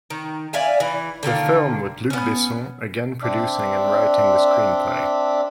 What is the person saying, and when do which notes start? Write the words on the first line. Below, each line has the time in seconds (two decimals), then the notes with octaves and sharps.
The film with Luc Besson again producing and writing the screenplay.
0.10 D#3
0.53 D5 E5 F5 G#5
0.80 E3
1.23 D3 D#3 A#3 F4
2.10 B3 C#4
3.22 C4 D4 D5 E5